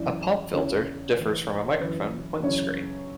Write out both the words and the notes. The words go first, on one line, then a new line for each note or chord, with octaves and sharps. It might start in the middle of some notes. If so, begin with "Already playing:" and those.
A pop filter differs from a microphone windscreen.
Already playing: F#2 E3 D5
E2 C#3 E3 C#5
A2 E3 B4
C#5
F#2 E3 B4
F#2 C#3 E3 C#5